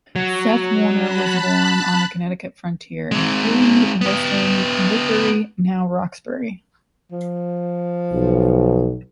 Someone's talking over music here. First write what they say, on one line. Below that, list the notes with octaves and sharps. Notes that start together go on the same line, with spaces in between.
Seth Warner was born on the Connecticut frontier in hilly western Woodbury, now Roxbury.
F#3
A5 B5 F#6
G#3 C4
B3 G4
F3
B1